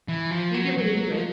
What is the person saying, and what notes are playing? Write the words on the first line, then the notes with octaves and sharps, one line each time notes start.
you get really into it.
E3
F3
F#3
F#3
F3